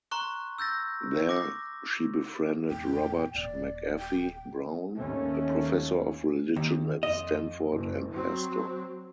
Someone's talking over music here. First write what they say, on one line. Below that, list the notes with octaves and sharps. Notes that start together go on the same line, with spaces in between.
There she befriended Robert McAfee Brown, a professor of religion at Stanford and pastor.
A#5 C6 C#6 F#6
E6 G6 A6 A#6
D6 A#6
E2 A#2 G5
D#1 D5
G5
D#2 A3 C#4
D#2
F2 D#5
F#1
F#3 C4